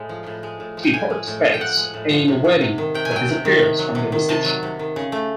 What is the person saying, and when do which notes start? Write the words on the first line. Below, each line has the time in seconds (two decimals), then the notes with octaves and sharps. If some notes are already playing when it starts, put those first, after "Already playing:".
She participates in the wedding, but disappears from the reception.
Already playing: A2 G#3
0.09 F3
0.26 A2
0.43 G#3
0.60 A2
0.77 F3
0.83 G5
0.93 A2 G#5
1.10 G#3
1.27 A2
1.44 F3
1.54 G5
1.60 A2 F#5
1.77 G#3
1.94 A2
2.10 F3
2.28 C3
2.44 F#3
2.61 C3
2.78 D#3
2.94 C3 G5
3.05 G#5
3.11 F#3
3.16 G5
3.28 C3
3.45 D#3
3.62 C3
3.79 F#3
3.95 C3
4.12 D#3
4.29 C3 A5
4.45 F#3
4.63 C3
4.79 D#3
4.96 C#3
5.12 A3